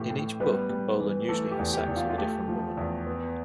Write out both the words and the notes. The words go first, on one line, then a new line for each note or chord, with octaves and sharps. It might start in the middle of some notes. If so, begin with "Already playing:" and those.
In each book, Bolan usually has sex with a different woman.
Already playing: A2 E3 G4
A2
G3 B3 B4
G3
E3
E3 A3 A4
G4
E2
G4
E2
F4
F4
A3 G4
F3
E2
B3